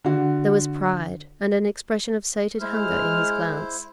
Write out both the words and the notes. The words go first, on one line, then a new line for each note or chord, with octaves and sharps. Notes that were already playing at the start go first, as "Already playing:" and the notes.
There was pride and an expression of sated hunger in his glance.
D3 F#4
G#3 E4 C5 F6